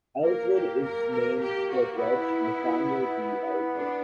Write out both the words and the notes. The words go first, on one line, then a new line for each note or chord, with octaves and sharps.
Eldred is named for Judge Nathaniel B. Eldred.
A#3 A#4
G4
A#4
A#4
G4
F#4
B3 E4
D4